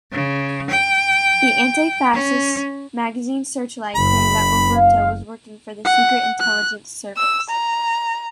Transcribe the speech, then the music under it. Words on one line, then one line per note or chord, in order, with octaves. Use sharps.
The anti-fascist magazine "Searchlight" claimed that Roberto was working for the Secret Intelligence Service.
C#3
G5
C#4
F#1 B5
F5
F#5
F#6
E6
A#5